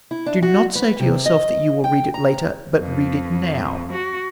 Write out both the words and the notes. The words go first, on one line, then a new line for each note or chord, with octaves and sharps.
Do not say to yourself that you will read it later, but read it now.
E4
D4
F#4
B4
C3
D#5
G5
A#5
F2
F#4